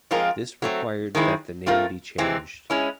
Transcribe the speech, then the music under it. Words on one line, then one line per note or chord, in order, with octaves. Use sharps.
This required that the name be changed.
F3 G#3 C4 F4 A#4
F#3 A3 C4
D#3 G#3 C4 E4
A3 C4 F4 A#4
C3 E3 G#3 C4
G#3 C#4 E4